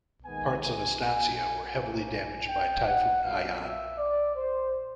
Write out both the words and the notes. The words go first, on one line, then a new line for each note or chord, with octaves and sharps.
Parts of Estancia were heavily damaged by Typhoon Haiyan.
D#2 D#3 G#3 B3 G#5
G#5
G#5
G#5
A2 F3 A#3 C#4 G#5
G5
F#5
A#2 F#3 B3 F5
E5
D5
C5